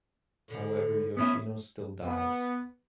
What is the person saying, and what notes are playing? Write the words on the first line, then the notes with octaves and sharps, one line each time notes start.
However, Yoshino still dies.
A2 D3
B3 C#4 E4
B3